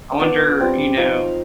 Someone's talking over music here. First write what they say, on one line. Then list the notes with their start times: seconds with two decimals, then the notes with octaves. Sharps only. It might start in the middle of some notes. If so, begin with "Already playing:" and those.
I wonder, you know
0.20 B3 D4 F4 D5
0.59 G3 C4 F4
0.97 F3 C4 D#4 F5